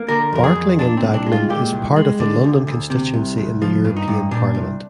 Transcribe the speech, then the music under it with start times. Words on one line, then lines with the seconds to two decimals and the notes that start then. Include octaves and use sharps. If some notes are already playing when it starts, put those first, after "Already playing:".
Barkling and Dagenham is part of the London constituency in the European Parliament.
Already playing: A#3
0.08 D3 A#4
0.33 F2 A#4
0.44 G#4
0.55 F2
0.79 A#2 D4
0.97 C4
1.04 C2
1.14 D4
1.26 G#3
1.32 F4
1.50 A#2 G4
1.73 C2
1.96 G#3
2.20 D3
2.44 D2
2.67 D2
2.90 C3
3.14 C2
3.38 C2
3.62 F3 F4
3.85 G2
3.96 D#4
4.08 G2
4.31 A#2 D4
4.54 C2